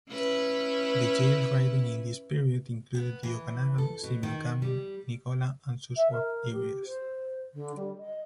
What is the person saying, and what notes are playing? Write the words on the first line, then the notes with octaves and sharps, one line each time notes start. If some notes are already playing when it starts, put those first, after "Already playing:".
The Yale riding in this period included the Okanagan, Similkameen, Nicola and Shuswap areas.
C#4 E4 B4
B3
E3
A4
B2
D#3
G3
E5
A#4
G4
C5
D3
G3
D#5